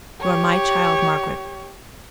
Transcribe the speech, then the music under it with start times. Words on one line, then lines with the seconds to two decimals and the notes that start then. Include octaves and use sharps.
You are my child, Margaret.
0.21 G4 C#5